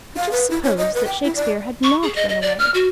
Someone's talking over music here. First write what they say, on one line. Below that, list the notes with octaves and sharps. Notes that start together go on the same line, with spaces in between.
But just suppose that Shakespeare had not run away!
F5
B4
E4
C#5
D#5
B4
G5
E4
D5
C#6
G#4
D#5
D#5
D5
F6
F#4